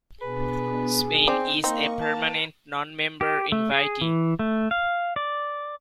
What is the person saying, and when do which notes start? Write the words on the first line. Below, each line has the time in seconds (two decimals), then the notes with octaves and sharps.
Spain is a permanent non-member invitee.
0.22 B2 B3 D4 G#4 B4
1.28 C4 D#4 D5
1.64 A#3 C4 D#4 D#5 C#6
2.01 A#4 B4 G5 A5
3.21 G4
3.52 A3
3.72 G#4
4.01 E3
4.39 A3
4.71 F5
5.16 D5